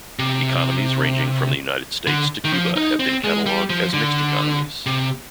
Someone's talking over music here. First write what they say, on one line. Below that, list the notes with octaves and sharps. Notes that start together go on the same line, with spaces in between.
Economies ranging from the United States to Cuba have been catalogued as mixed economies.
C3
D3
D#3
F3
D#4
C4
G#3
G3
F3
D3
C3